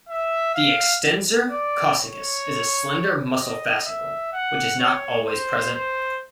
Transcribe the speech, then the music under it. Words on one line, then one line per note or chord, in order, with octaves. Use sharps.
The extensor coccygis is a slender muscle fascicle, which is not always present.
E5
F5
D5
C#5
D#5
E5
F#5
C#5
C5
C5